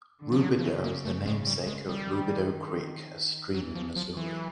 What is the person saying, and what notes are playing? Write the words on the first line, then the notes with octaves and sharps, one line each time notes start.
Roubidoux is the namesake of Roubidoux Creek, a stream in Missouri.
D3
F3
F#3
F3
C#3 E3
A#3
A3
G#3
G3
G#3
D#3 G3
E3 F#3
F3
F3 F#3
E3